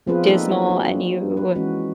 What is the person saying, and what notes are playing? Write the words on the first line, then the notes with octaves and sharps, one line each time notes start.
dismal and you
F3 B3 C4 F4 G#4 B4
A#3 D#4 A4 C5 D5
D4 F#4
B4
E3 G#3 C#4 F#4